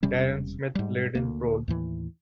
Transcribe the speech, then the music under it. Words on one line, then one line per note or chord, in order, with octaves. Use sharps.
Darren Smith played in the Proles.
E1 C3 G3 C#4
G#2 G3
D2 A#3
D#2 A2 E3